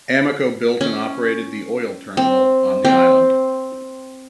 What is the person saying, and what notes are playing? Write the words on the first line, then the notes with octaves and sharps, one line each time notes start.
Amoco built and operated the oil terminal on the island.
C#4
C4
C4